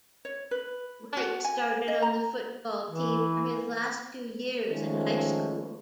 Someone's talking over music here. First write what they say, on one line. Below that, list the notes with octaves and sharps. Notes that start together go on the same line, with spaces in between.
Reich started on the football team for his last two years in high school.
C#5
B4
F#4
G#5
D#5
A#5
E3
D#3 F3 G#3 A3 C#4